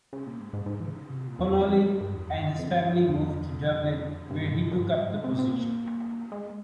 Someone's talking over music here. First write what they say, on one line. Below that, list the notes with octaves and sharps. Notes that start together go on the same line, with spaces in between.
Connolly and his family moved to Dublin, where he took up the position.
C#3
A#2
G#2
G#2
G#2
E3
C#3
C3
A#2
E2
F2
F2
G#2
G2
G2
E2
F2
G2
F2
F2
G2
F2
E2
F2
G2
G2
G#2
G3
G#3
C4
C4
A#3
G#3